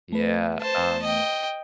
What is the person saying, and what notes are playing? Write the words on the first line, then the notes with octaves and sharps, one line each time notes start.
Yeah, um
A3 B4
C5 A5
D#5 G5